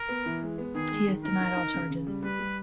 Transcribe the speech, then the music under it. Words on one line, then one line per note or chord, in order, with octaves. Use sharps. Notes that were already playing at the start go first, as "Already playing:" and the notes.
He has denied all charges.
Already playing: A#4
B3
E3
G#3
B3
D#3 G#4
G#3
D#3
D#4 A#4
D#4
D#4
C#3
C#3
G3
G3 B4
G3